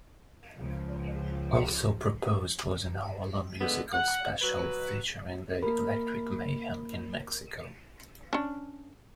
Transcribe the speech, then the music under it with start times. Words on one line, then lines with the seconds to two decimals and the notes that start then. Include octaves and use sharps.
Also proposed was "an hour-long musical special featuring The Electric Mayhem in Mexico".
0.58 C#2 F3
3.61 D3 G#3 B3
3.92 F#5
4.42 F#3 B4
5.63 A#3 A#4 B5
8.33 C#4 D4